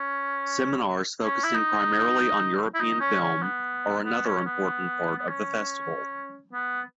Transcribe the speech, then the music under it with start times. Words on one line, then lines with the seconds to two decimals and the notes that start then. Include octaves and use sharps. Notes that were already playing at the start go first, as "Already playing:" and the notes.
Seminars focusing primarily on European film are another important part of the festival.
Already playing: C#4
1.24 C#4
1.44 E4
1.55 D#4
2.75 E4
2.80 D#4
3.01 C#4
3.22 C#4
3.43 B3
4.05 B3
4.26 C#4
4.46 B3
5.18 B3
5.29 C#4
6.53 B3